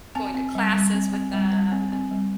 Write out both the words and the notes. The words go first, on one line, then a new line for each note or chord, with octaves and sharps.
going to classes with them. And,
C4 A5
C4
G3
G3
C4
C4
G3
G3
C4
C4
G3